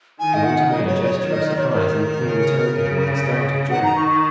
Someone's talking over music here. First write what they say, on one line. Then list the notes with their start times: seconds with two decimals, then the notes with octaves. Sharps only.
De Winter made a gesture of surprise and the queen turned to him with a start of joy.
0.19 D#3 G#5
0.34 D#5
0.44 F#5
0.69 C#3 F#3 D#5
0.87 C#5
1.03 C#5
1.20 D#3 C#5
1.32 D#5
1.45 D#5
1.57 C#5
1.70 C#5
1.75 A#4
2.20 C#3
2.70 C#3
3.71 D#3 F#5
3.84 A#5
3.96 C#6
4.09 C#6